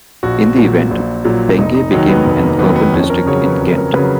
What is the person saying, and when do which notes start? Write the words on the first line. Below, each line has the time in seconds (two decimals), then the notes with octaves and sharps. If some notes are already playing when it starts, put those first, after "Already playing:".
In the event, Penge became an urban district in Kent.
0.23 A#1 F#4
0.57 A#2 F#3
0.91 A#1
1.25 A#2 F#3
1.58 F1 D#4
1.74 D#4
1.92 D#2 D#3 F#3 D#4
2.09 B3
2.26 F1 B3
2.43 A#3
2.59 D#2 D#3 F#3 B3
2.76 B3
2.94 F2 C#4
3.10 A#4
3.26 C#3 F#3 C#5
3.44 B4
3.61 F2
3.78 A#4
3.94 C#3 F#3 B4